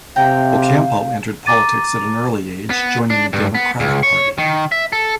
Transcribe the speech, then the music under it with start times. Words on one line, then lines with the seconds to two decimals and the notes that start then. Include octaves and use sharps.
Ocampo entered politics at an early age, joining the Democratic Party.
0.16 C3 F5 G5 A#5
1.46 A#5 D6 A6 D#7
2.70 B3
3.10 D4
3.33 G2
3.55 B3
3.80 C#2
4.03 C#5
4.38 D#3
4.72 E5
4.93 A4